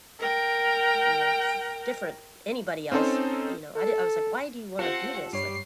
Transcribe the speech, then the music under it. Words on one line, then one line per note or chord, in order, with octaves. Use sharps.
you know, s different, anybody else. But, you know, I di I was like, "Why do you wanna do this?" Like
A#4 G5
C4 C#4 D#4 A4 C5
A4
C4 F4 G4 A4 F#5
G2 G3 C#5 C7